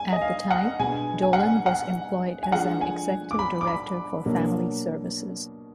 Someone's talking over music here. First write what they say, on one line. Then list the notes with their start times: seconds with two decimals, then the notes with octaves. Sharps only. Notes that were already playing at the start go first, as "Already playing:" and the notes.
At the time, Dolin was employed as an executive director for family services.
Already playing: G#5
0.13 D#5
0.22 F5
0.51 F#5
0.79 B2 G#3 B3 D4 G#5
1.22 G#5
1.33 F#5
1.43 G#5
1.66 F#5
2.43 G#5
2.52 F3 G#3 D4 F#5
2.81 G#5
3.31 D6
3.39 B5
3.61 D6
3.67 B5
4.25 B2 F#3 A#3 D4